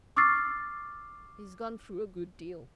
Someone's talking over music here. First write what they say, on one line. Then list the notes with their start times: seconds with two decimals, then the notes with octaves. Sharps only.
He's gone through a good deal.
0.16 C#6 D6 E6 F6 A6 C7